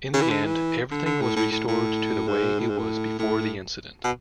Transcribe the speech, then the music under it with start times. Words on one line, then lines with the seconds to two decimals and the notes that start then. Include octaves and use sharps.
In the end, everything was restored to the way it was before the incident.
0.14 C#3
0.22 E3
0.30 D3
0.45 E3
0.91 D3
1.06 D3
1.21 A2
1.36 A2
1.51 A2
1.67 A2
2.28 G#2
2.59 A2
2.69 G#2
2.78 A2
3.19 A2
4.04 B2